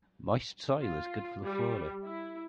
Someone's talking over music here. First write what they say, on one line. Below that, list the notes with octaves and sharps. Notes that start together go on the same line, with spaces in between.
Moist soil is good for the flora.
F4
G3
E4